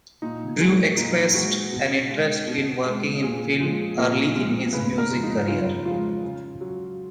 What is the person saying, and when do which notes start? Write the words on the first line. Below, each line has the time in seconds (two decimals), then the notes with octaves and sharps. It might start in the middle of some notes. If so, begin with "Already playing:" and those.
Drew expressed an interest in working in film early in his music career.
0.22 A#2 D#4
0.60 G#3
0.97 A#2 D#4
1.34 G#3 F#4
1.73 B2
2.10 G#3
2.48 B2
2.86 G#3
3.23 A#2 G#4
3.60 F3 G#3
3.98 A#2 A#4
4.35 F3 G#3
4.73 C#3 B4
4.98 A#4
5.11 F3 G#3
5.23 D#4
5.48 C#3 F4
5.85 F3 G#3 F4
6.23 C#3
6.61 F#3